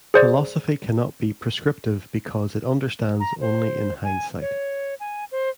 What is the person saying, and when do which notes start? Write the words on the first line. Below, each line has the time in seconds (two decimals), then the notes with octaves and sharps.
Philosophy cannot be prescriptive because it understands only in hindsight.
0.14 G#4 C5 D5
3.20 A#5
3.41 C5
4.04 G#5
4.41 C#5
5.00 G#5
5.31 C5